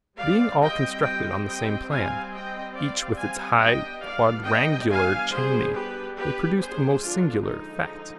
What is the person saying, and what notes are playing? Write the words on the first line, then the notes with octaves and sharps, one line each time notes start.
Being all constructed on the same plan, each with its high quadrangular chimney, they produced a most singular effect.
G3 C4 D5 F5
D#5 G5
D#5 G5
D#5 G5
F5 G#5
D#5 G5
D5 F5
F5 G#5
G3 B3 D4 D#5 G5
D5 F5
D#5 G5
F5 G#5
G#4 C5
G4 B4
G4 B4
G#4 C5
D3 F3 G#3 D4 F4
D#4